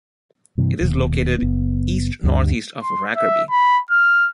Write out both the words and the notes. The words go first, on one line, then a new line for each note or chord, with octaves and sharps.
It is located east-northeast of Rackerby.
G2 C3 E3
D#1 D#2 B2
F#1 B3
D2 G2 D3 G3
C6
E5
B5
F6